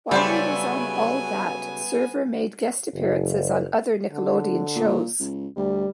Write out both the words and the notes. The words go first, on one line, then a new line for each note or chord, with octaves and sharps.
While he was on "All That", Server made guest appearances on other Nickelodeon shows.
C#3 F#3 G3 A3 B3 G4 C5 G#5
F#1
D3
A#2
C#2
D2 G3